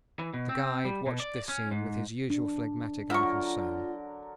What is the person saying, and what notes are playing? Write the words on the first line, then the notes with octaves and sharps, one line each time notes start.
The guide watched this scene with his usual phlegmatic unconcern.
E3
B2
C4
G3
B2
D5
C#4
G#2
D4
D3 F#3 F4 A#4 E5 C#6